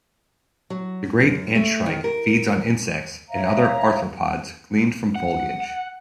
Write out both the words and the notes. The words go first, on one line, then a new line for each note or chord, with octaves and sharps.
The great antshrike feeds on insects and other arthropods gleaned from foliage.
F#3
F#2
A3
D#3
A#4
C#5 E5 F5 A#5
F#5